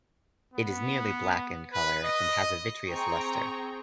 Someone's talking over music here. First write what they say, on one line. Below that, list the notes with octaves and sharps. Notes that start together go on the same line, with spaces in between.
It is nearly black in color and has a vitreous luster.
B3
B4
D#5
C4 G#4 G5 A#5 C#6